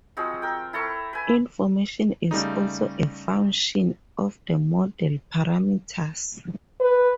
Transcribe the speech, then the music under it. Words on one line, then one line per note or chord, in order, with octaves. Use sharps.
Information is also a "function" of the model parameters.
F3 G#3 C4 F#4
A#4 G5
E4 A4 A#5 C#6
B4 G#5
C#3 G3 A3 D#4
B4